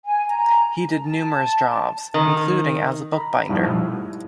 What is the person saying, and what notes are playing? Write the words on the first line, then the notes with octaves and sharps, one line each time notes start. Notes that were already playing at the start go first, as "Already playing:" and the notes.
He did numerous jobs including as a bookbinder.
G#5
A#5
A5
D#3
A#5 B5
G2 B2 F3 G3 D#4 E4
F3 G#3 A3